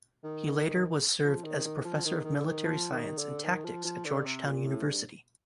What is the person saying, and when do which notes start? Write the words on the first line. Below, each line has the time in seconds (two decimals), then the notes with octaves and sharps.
He later was served as professor of military science and tactics at Georgetown University.
0.24 D#3
1.24 F3
1.44 D#3
1.64 D#3
1.84 F3
2.05 D#3
2.24 D#3
2.35 D3
2.44 D#3
2.65 F3
2.91 D#3
3.18 D3
3.45 D#3
3.65 F3
3.84 F3
4.05 D3
4.25 C3
4.45 A#2
4.66 A2
4.85 G2